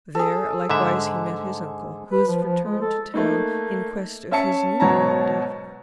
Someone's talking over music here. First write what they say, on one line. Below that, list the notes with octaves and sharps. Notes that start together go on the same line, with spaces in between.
There likewise he met his uncle, who was returned to town in quest of his new-married daughter.
G#4 A4
G#2 D3 E5
B4
F3
F3
G#3
A4
A3 A#3 D#4
C#4 E5 A5 C#7
G#1 B2 F#3 C#5 A5 A#5